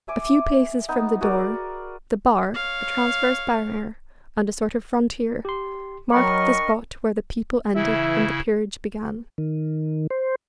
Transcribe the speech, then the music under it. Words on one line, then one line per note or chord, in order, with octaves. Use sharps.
A few paces from the door, the bar, a transverse barrier, and a sort of frontier, marked the spot where the people ended and the peerage began.
E5 G#5 D6
B3 D#4
F#4 G#4 A#4 D5
C#5 F5
G4 C6
F#3 D4 A#4 D#5 G5 B5 C#6 F6
C#3 E3 E4 E5
D#3
C5